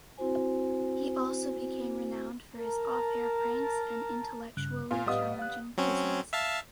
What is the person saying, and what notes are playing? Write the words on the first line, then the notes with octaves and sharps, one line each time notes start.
He also became renowned for his off-air pranks and intellectually challenging quizzes.
C4 E4 F#4 C5 G#5
A#4 A5 A#5
G2 C#3 F#6
A#2 F5 G#5
A2 G3 B3 D#5 F5 D#6
F5 F#6
F#3 C4 C#4
E5 F5 A5